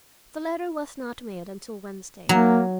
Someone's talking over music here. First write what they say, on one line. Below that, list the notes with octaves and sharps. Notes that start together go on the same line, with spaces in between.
The letter was not mailed until Wednesday.
F#3 A#3